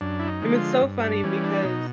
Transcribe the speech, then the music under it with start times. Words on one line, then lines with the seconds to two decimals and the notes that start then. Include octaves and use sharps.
And it's so funny because
0.01 F#2 D4
0.19 E4
0.28 D#4
0.42 D3 F3 G#3
0.55 F4
0.82 G2
1.04 D4
1.23 E3 G3 C#4
1.44 D4
1.65 B2 D#4